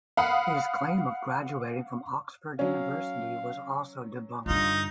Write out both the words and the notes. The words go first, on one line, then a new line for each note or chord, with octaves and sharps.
His claim of graduating from Oxford University was also debunked.
F5 F#5 B5 D#6
F#3 C#4 F5
G2 D3 D#4 F4